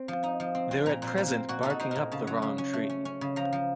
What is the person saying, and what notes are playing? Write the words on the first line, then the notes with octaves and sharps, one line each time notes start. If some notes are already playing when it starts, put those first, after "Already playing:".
They're at present barking up the wrong tree.
Already playing: C4
F3
D#4
F3
C4
C4
A#2 A#5
A#2
C5
A#2
A#4
C4
A#2 F#4
D#4 A4
F#4
D#4 C5
A#2 A#4
C#3 A5
F#3
C#3
C#4
A3
C#4
C#4
C#3
F3 A#5
F3